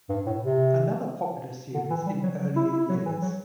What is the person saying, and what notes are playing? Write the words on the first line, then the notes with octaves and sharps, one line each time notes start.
Another popular series in earlier years.
G2
A2
C3
D3
E3
G3
F#3
F#3
E4
E4
F#3
E3
F#3